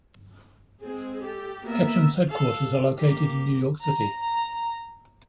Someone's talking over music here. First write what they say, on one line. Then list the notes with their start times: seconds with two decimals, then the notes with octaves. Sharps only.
Ketchum's headquarters are located in New York City.
0.81 G#3 C4 G#4
1.21 G4 A4
1.63 A#3 B3 A#4 E5
2.29 A4 F5
2.97 A#3 G4
3.84 A#5